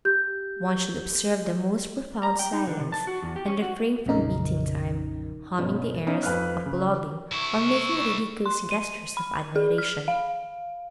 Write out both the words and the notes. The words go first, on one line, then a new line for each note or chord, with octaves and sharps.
One should observe the most profound silence, and refrain from beating time, humming the airs, applauding, or making ridiculous gestures of admiration.
G4 G6
A#5
G5
D#4
D3
C3
A5
F#4
E2
G4
C#4
F#4
A#1 F2 C#3 D#4 A#4
G1 B2 C#4
B3 C#4 D#4
F2 B4 F5 F6 F#6
C#3
C2 E4 C#6
C6
D#7
B5
G#4
F6
F5